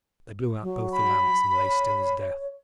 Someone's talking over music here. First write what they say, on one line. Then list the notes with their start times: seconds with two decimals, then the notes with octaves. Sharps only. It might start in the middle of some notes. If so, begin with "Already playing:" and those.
They blew out both the lamps and lay still as death.
0.62 F#3
0.92 B5
1.54 C#5